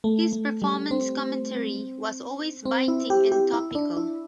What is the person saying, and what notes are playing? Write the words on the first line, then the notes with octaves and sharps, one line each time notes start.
His performance commentary was always biting and topical.
A3
A3
G3
C4
C4
E4
G4
G4
E4
D4
E4